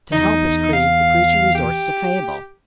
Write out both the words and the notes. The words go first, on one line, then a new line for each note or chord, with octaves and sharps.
To help his creed, the preacher resorts to fable.
E2 D#4
F5
G4